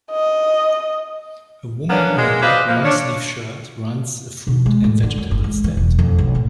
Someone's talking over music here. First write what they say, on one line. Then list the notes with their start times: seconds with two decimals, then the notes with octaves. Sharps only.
A woman in a black longsleeve shirt runs a fruit and vegetable stand.
0.12 D#5
1.90 A#3 B3 C#4 D4
2.18 G#3 A#3
2.42 B4 C5 D5 D#5 F5
2.68 F3 A#3
2.84 C#4 D4
4.47 B2
4.66 G#3
4.84 A2
5.03 D3
5.18 F#2
5.31 G1
5.44 G#3
5.64 E3
5.77 E1
5.99 F2
6.18 B1
6.35 A2